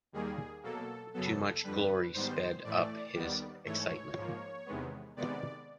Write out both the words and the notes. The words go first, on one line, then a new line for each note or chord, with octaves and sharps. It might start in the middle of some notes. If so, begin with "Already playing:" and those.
Too much glory sped up his excitement.
D#2 D#3 G3 A#3 G#4
B2 F#3 A#3 A4
F#2 C#3 F#3 B3 A4
F2 D3 G3 B4
G#2 D#3 G3 B3 C5
A2 E3 A3 D5
D#2 D#3 G3 B3
G#2 E3 A3 C#5
G#2 F3 A#3
E2 C3 D#3 G#3 B3
C3 D#3 G#3 B3 D5